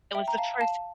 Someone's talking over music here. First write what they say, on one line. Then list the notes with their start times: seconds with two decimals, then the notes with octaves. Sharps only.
It was the first.
0.15 E5 G5
0.28 A#5
0.37 F5 A5
0.61 F5 A5